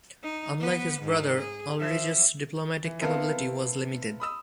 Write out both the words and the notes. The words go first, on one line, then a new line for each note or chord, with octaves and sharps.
Unlike his brother, Ulrich's diplomatic capability was limited.
D#4
B3 B4
G#2 D#3
G#4
F3 E5
E3
B3 C4 E4 A4 A#4 F5
B5 D#6 E6